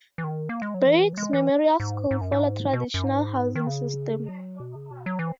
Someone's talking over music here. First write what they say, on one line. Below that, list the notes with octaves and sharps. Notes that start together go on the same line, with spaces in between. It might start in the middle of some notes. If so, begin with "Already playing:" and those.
Breeks Memorial School follow traditional housing system.
E3
D#3
A#3
G#3
F#3
E3
F#3
G#3
E3
G#2
G#2
F#2
G#2
B2
F#2
G#2
D#3
C#3
F#3
B2
C#3
B2
F#3
E3